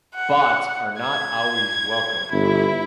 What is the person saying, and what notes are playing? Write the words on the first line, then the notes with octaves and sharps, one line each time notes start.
Bots are not always welcome.
F#5
G#6
G1 E4